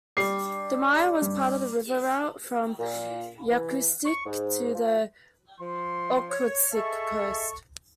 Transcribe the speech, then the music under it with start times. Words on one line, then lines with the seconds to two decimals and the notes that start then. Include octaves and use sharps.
The Maya was part of the river route from Yakutsk to the Okhotsk Coast.
0.17 G3 D4 D6 C7
1.22 G2
2.79 A#2
3.50 E3
4.06 C#6
4.26 G#2
4.74 F3
5.59 F3 C6
6.30 C#5
6.73 G#4 A4 D#5 E5 A5 C#6